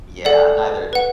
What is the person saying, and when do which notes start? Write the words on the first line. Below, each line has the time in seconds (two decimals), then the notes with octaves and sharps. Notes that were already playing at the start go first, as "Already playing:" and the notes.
Yeah, neither
0.25 A4 D5 F#5
0.93 B4 F#5